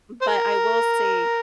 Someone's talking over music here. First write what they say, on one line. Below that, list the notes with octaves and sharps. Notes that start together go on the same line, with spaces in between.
m but I will say
C5
A#4